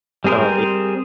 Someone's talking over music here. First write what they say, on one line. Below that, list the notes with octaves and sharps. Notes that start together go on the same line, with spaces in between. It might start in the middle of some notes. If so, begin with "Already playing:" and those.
Oh, ye
G3 C4 G#4 A#4 C5